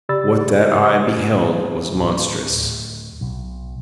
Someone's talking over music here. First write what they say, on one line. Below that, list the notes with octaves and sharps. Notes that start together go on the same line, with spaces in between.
What that eye beheld was monstrous.
C#3 G4 D5 B5 E6 A6
D1
D1
B1